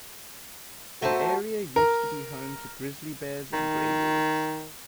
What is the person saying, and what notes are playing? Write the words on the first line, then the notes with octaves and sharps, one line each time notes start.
The area used to be home to grizzly bears and gray wolves.
A3 F#4 C5 E5 A5 A#5
A#4
D#3